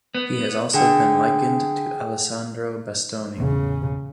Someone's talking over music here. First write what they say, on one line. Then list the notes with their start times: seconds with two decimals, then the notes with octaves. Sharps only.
He has also been likened to Alessandro Bastoni.
0.15 B3
0.74 D3 G#4 F#5 G5
3.38 A1 E2 C#3